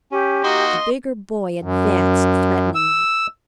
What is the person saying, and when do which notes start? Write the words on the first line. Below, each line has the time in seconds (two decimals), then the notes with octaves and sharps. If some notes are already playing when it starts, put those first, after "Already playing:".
The bigger boy advanced threateningly.
0.11 C#4 G4
0.44 A#3 D#4 F#4 D#5 C6
1.63 F#2
2.75 E6